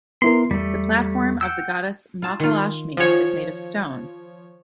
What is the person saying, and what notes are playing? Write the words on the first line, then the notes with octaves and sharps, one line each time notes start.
The platform of the Goddess Mahalakshmi is made of stone.
B3 E4 A#4 C6
E2 G3 A3
F#5 G5 E6
F4 A5
D#3 F4
F3 F#4 G#4 C#5